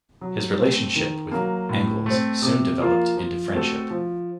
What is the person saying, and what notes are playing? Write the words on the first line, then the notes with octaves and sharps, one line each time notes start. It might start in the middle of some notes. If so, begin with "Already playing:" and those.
His relationship with Engels soon developed into friendship.
F#3
A3 C4
D#3
F#3 A#3
A2
A3 C4
C3
F3 A#3 F4
F3
A3 C4 F#4 A4
F3